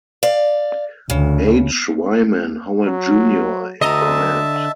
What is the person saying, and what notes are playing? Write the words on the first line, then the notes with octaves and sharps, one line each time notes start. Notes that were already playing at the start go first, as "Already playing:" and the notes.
H. Wyman Howard Junior in command.
D5 F5
D2 C#3
F#3
D2 D3 D#5 E5 A5 A#5